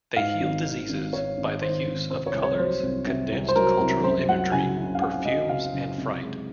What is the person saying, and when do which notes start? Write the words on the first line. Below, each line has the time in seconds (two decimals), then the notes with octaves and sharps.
They heal diseases by the use of colors, condensed cultural imagery, perfumes and fright.
0.16 G#2 F5
0.41 G#1
0.65 D#3
0.89 G#1
1.13 G#2 C#5
1.38 G#1
1.62 D#3 C5
1.86 G#1
2.10 C3 C5
2.26 C#5
2.34 C2
2.42 C#5
2.59 F#3 C5
2.83 C2
3.07 C3
3.32 C2
3.49 C5
3.56 F#3 A#4
3.80 C2
4.04 F#2 C5
4.28 F#3 F#5
4.52 C#3 G#5
4.77 F#1
4.95 F5
5.01 F#2 F#5
5.25 F#3 D#5
5.49 C#3 F5
5.74 F#1
5.98 C3
6.23 G#3